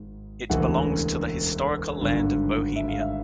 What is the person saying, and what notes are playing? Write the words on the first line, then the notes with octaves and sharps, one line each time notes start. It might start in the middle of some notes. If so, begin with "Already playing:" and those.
It belongs to the historical land of Bohemia.
Already playing: G#1 G#2
E1 D2 C#3 E3 F#5
G#1 G2 D3
E5
F5
E5